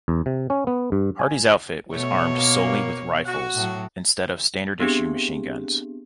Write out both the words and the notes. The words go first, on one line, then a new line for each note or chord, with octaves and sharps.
Hardy's outfit was armed solely with rifles, instead of standard-issue machine guns.
E2
C3
C#4
B3
G2
G#5
B2 A3 C#5
A#3
F#4 F#5
A2 F#3
B3 C4 D4 G4 G#4